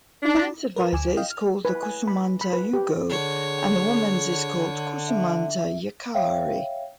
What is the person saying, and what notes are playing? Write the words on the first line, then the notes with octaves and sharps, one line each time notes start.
The man's advisor is called the "khoussoumanta-yougo" and the woman's is called "khoussoumanta-yakhare".
D4
A#4 B4
D2 G#5 D6 E7
D#5 F5 G5
F6
B4
G#5
B5
B5
B4
G4
D3 G#4 C#5
E5
C#5 E5 F5 G5